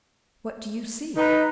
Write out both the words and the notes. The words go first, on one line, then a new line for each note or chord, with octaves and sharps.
"What do you see?"
D#4 B4